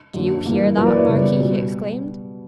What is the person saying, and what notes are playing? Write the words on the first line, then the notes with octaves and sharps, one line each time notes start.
"Do you hear that, Marquis?" he exclaimed.
F#2 D3 A#3
G2 E3 A#3
F#2 E3 A#3 A#4
B4 D5
C#5 E5
C#3 G3 B3 B4 D5
B2 G3 B3